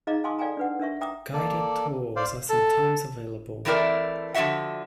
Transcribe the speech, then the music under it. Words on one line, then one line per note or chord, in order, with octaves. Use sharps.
Guided tours are sometimes available.
D#4 G#4 D#5 F5 A#5 D6
F5 G#5 A5 C6 D6 D#6
A4 D5 F5 G5 G#5 A#5
D4 B4 F#5
D4 A#4 E5 C#6
E5 G5 A#5 D6 D#6
A#3 A4 D5
C5 D5 F5
A4
E3 A3 C4 E4 A#4 D5
D3 F3 B3 F#4 E5 F#5